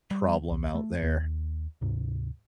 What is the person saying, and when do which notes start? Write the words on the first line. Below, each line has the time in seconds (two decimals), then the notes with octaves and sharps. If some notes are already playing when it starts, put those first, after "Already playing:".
problem out there.
0.11 G3
0.50 C2
0.75 A3
1.03 D#2
1.81 D2 G#2 C3